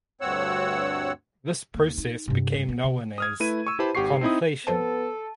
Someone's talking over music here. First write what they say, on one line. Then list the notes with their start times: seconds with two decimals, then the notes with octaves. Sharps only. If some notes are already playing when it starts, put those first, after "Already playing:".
This process became known as "conflation".
0.21 D2 G2 C4 C#5 F#5 E6
1.75 D#2 A#3
1.98 D#4
2.28 G2 C3
2.54 G2
2.69 B3
2.84 C3
3.18 D#6 F6 G#6
3.40 A3 E4 B4 D#7
3.67 C#6 E6
3.79 E4 G4 B4 C5 A5 B5
3.95 G#1 G4 F#5 C#6 C7
4.21 C4 D#4 E4 D#6
4.67 F2 B3 A4 C5 G#5 A5